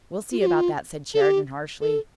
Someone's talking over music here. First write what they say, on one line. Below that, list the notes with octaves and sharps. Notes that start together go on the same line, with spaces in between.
"We'll see about that!" said Sheridan, harshly.
F4
G4
F4
A4
G4
A4